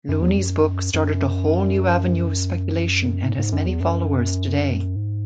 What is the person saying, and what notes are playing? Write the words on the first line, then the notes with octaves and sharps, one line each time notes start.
Looney's book started a whole new avenue of speculation and has many followers today.
F#2
E2
F#2
F#2
G#2
G#2
F#2
E2
F#2
G#2